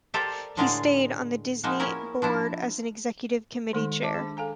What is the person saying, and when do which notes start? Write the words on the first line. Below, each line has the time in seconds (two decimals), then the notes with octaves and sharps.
He stayed on the Disney board as executive committee chair.
0.14 G4 A4 A#4 C5 D5 E5
0.57 A2 D3 G#3 A#4 D5 F5
1.64 F3 G#3 A#3 B3 D#4
1.80 C#4 E4 A#4
2.22 F3 D4 E4
3.73 D#3 G#3 D#4 A4
4.02 C5 E5 A5 D6
4.14 D4 G#4
4.37 A4 F5 G#5 A#5